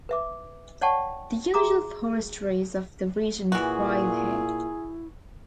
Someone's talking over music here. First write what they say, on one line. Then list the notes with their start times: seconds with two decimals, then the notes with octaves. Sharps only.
The usual forest trees of the region thrive here.
0.09 B4 E5 D6
0.81 C#5 D5 F#5 G5 A5 C#6
1.54 F#4 G#4 E5 A#5 D6 D#6
3.52 A#2 E3 E4 F#4 G#4